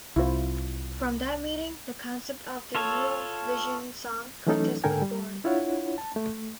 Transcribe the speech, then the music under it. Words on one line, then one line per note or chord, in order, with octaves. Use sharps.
From that meeting, the concept of the Eurovision Song Contest was born.
C2 E4 F4 C5
F4 A4 C#5
E3 F#3 A3 C#4 D#4 A4
G#2 D3 A4 A#4 G5 G#5
G3
D4 E4 F4 C#5 F#5
A5
A3